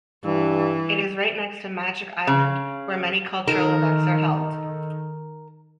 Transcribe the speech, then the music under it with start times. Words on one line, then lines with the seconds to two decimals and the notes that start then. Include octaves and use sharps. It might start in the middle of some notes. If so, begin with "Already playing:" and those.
It is right next to "Magic Island" where many cultural events are held.
0.24 G2 E3
2.27 C#3
3.48 D#3 D#4 A4 A#4